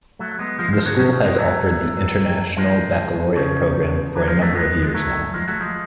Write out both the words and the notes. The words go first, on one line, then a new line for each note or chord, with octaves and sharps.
The school has offered the International Baccalaureate program for a number of years now.
F#3 A3
G#3 B3
F3 G#3
F3 G#3
D3 F#3
C#3 F3
C#3 F3
G#3 B3
F#3 A3
F3 G#3
C#3 F3
D3 F#3
F3 G#3
F#3 A3
G#3 B3
G#3
F#3 A3
F3 G#3
F#3 A3
F3 G#3